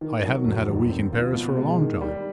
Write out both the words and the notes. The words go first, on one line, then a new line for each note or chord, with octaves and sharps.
"I haven't had a week in Paris for a long time."
D#3
F#3
F1
D#2
C4
F4
B2
G#3
D#3
G3